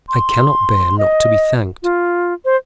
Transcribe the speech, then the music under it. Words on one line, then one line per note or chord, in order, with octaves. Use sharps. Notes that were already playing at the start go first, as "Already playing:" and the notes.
I cannot bear not to be thanked.
C6
D#5
F4
C5